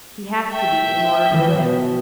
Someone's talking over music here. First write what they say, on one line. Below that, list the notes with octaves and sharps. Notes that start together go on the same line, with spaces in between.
He has to be, in order to live.
E5 G5
E3 F3
B2